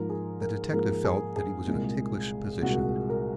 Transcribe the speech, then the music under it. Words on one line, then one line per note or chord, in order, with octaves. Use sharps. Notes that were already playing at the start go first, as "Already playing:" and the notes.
The detective felt that he was in a ticklish position.
Already playing: G#2 F3 A#3 A#4
G#4
A#4
G#2 F3 A#3 A#4
G#4
G#4
C2 A#2 G#3
C2 A#2 G#3 F#4
A#4